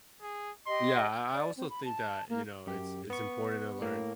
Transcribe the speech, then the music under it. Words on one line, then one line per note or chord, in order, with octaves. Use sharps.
Yeah, I I also think that, you know, it's it's important to learn,
G#4
G4 D#5 C6
D5
C4
B5
A5
A#3
F#2 G4
B3 C#6
A2 A#3